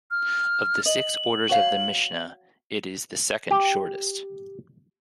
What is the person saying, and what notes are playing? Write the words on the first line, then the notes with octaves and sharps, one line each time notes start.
Of the six orders of the Mishnah, it is the second shortest.
F6
D#5 F#7
F#4 C#5 F5
G4